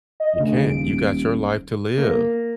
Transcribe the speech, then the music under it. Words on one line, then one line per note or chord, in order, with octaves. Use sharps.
You can't. You got your life to live.
D#5
D2 C#3
D#1 D7
A#3